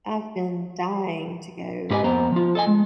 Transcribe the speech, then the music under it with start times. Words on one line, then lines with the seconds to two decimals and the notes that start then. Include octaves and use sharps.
I've been dying to go.
1.90 G#2 G4 B4 D#5 G#5
2.04 F2 A#3 B3 C5 A#5
2.32 F3 F4
2.55 A4 D#5 G#5
2.67 G#3